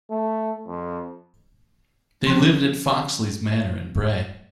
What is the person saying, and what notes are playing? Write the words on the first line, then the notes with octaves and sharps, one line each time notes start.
They lived at Foxley's Manor in Bray.
A3
F2
F3 C#4